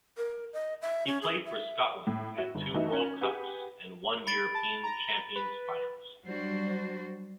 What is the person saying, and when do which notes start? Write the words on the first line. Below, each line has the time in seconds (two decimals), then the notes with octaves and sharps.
He played for Scotland at two World Cups and one European Champions finals.
0.17 A#4
0.53 D#5
0.82 E5
1.07 C#4
1.22 G#4
1.46 E5
2.07 A2
2.36 F#4 E5
2.55 G1
2.74 E3 A3 D#4 F#4 A4
2.93 C#4
3.21 G4 G#4 B4 F#5
4.27 B5 A6 D7
4.55 A5
4.84 A#5
5.36 B4
6.25 F#3 G3 D4 F#4 C5